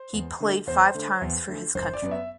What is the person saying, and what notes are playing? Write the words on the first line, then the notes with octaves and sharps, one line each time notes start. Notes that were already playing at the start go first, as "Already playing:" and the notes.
He played five times for his country.
Already playing: C5
E2
D3 A3
E2 C5
D3 A3
E2
D3 A3
F#1 C5
D5
F#2 F#3 B3
E5